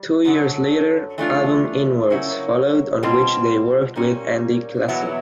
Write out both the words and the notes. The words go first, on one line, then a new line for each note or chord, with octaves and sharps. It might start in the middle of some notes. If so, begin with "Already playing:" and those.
Two years later album Inwards followed, on which they worked with Andy Classen.
Already playing: G3
F#2 D3 F#3
E3 A3 D4 F4
C#3 F#3 A#3 C#4 E4
B2 G3 C4 F4
A#2 G3 A#3 C#4
E2 B2 F#3 B3 E4